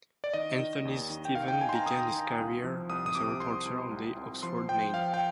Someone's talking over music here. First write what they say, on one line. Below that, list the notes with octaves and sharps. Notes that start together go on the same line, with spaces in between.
Anthony Steven began his career as a reporter on the "Oxford Mail".
D5
D#3 D#5
D#3
D#2
D#3
G5
D#3 F5
G5
D#3 G#5
C6
A#5
D#3 D#6
D#3
C2
F3
C2 D#6
D#6
C3 D6
C2 C6
C2
C2
C2
F3 C6
F3 G5
F3 F5
G5